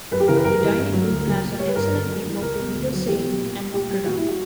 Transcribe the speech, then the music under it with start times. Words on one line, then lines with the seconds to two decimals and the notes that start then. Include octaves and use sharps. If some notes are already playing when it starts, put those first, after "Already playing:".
The dining room has an excellent view of the river Seine and Notre Dame.
0.11 F#2 B4
0.20 G4
0.28 C#3 E3 A#4
0.36 B4
0.44 F#2 A#4
0.61 E3 G3
0.77 G2
0.93 F#3
1.10 D2
1.26 C#3 F#3
1.43 A#2
1.59 G3 C#5
1.67 B4
1.76 G2 A#4
1.93 D3 G3
2.09 F#2
2.26 E3 G3
2.41 C#2 A#4
2.58 B2 F#3
2.75 D2
2.91 D3 F#3
3.07 E2 G4
3.24 B2 F#3
3.41 A#2
3.57 G3
3.74 A#2 G4
3.90 G3
4.06 A#2 F#4
4.17 E4
4.23 G3
4.29 F#4